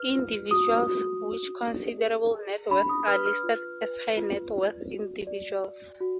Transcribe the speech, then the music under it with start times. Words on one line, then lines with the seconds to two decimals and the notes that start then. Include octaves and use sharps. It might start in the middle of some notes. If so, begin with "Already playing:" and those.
Individuals with considerable net worth are listed as High-net-worth individuals.
Already playing: B4 F6
0.15 F4
0.51 F#4 D#6
0.88 F#4
1.25 F#4
1.61 D5
1.98 G#4
2.34 G#4
2.71 D4 B5
2.89 D#6
3.07 B4 F6
3.26 F6
3.44 F4
3.81 B4
4.17 F4
4.54 D5
4.91 F#4
5.27 D5
5.64 D5
6.00 F#4